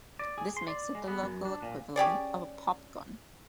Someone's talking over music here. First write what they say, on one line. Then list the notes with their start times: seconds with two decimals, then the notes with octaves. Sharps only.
This makes it the local equivalent of a pop gun.
0.19 D5
0.38 G#4
0.57 C6
0.68 D5
0.95 G#3
1.08 B3
1.23 F#2
1.45 D4
1.62 A#2
1.96 C#4 G4 G#4 D5